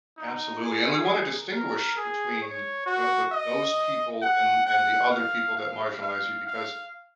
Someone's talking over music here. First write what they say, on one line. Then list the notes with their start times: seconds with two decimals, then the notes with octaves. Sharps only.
Absolutely, and we want to distinguish between the the those people and and the other people that marginalize you because
0.17 D#4
0.62 G#4
1.51 A#4
1.97 G#4
2.42 C#5
2.86 F#4
3.32 D#5
4.22 F#5
4.66 F#5
5.12 F5
5.57 F5
6.02 F5
6.47 F5